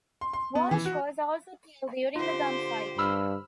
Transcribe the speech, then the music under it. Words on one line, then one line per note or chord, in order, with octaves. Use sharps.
Walsh was also killed during the gunfight.
C6
C6
B3
E3
F#4
D3 F4 G4 C5
G2 B5 E6 F6